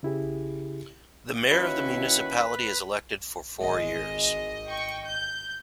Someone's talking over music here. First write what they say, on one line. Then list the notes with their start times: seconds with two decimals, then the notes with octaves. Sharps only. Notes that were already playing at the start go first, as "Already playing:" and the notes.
The Mayor of the municipality is elected for four years.
0.03 C#3 E4 G4 G#4
1.50 D#2 C#4 E4 F#4 B4
3.60 G#1 G#3 D#5
4.67 G5 C#6
5.08 G6